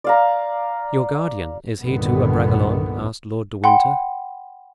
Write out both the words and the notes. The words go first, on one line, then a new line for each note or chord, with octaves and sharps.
"Your guardian! is he, too, a Bragelonne?" asked Lord de Winter.
D5 F5 A#5
C2 G2 A#2 D3 D#3 B3
F#5 G5 B5 C6